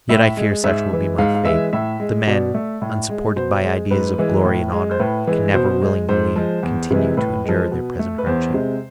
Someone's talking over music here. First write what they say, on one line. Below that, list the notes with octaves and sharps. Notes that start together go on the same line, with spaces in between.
Yet I fear such will be my fate; the men, unsupported by ideas of glory and honour, can never willingly continue to endure their present hardships.
A2 E5
G#3
G#2 E5
E3 G#3
G#2 F5
F5
E3 G#3 E5
A2 E5
G#3
B2 D5
A3
A2
G#3
B2 C5
G#3
G#2 B4
E3 G#3
A2
G#3
C5
A2 B4
E3 G#3
B2 C5
G#3
G#2 C5
F3 G#3
E2
C3 E3 G#3
A2 B4
F3 G#3
B2
A3
B4
E2 C5
C3 G#3